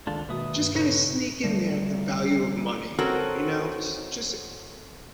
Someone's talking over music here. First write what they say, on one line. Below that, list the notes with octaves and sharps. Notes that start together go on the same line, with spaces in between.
just kinda sneak in there the value of money, you know, j just,
C#2 D#3 G#3 D4 F4 A4
B2 D#3 G#3 A#3 B4 E5 D#6
G2
A#2 C#3 A4 B4 C#5
D3 G3 A3
C4 C#4 F#4 A4 A#4